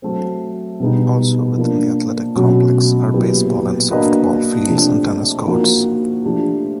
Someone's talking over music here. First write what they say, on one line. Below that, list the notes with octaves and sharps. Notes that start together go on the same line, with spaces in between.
Also within the athletic complex are baseball and softball fields and tennis courts.
F#3 A3 C4
B2 G3 B3 D#4
F3 A#3 D4
B2 F#3 A3 C#4 F#4
A#2 F#3 B3 E4 G4
A#3 D4 F#4 B4 D#5
C3 F3 A3 D4
F3 A#3 D#4 F#4
F3 A3 D4 G4